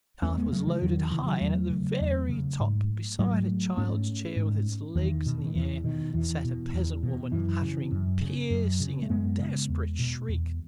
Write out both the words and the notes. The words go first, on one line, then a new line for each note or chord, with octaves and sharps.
The cart was loaded high, and at the very top, beside a child's chair with its legs in the air, sat a peasant woman uttering piercing and desperate shrieks.
E2 A3 C#4
G#3 B3
C#3 F#3 A3
E3 G#3
E2 D#3 F#3
D#3
C#3 E3
D#3 F#3
E2 F#3 A3
C#3
E2
C#3
G#2
G#2 F#3 A3
G#2 A3 C#4
G#2
E2 D#3
B2
D#3
E2 E3
B2 D#3
E2 E3
B2
E2
B2
F#2 E3
C#3
F#2
C#3
F#2
C#3
A3
F#2 G#3 B3
C#3
E2
B2
E2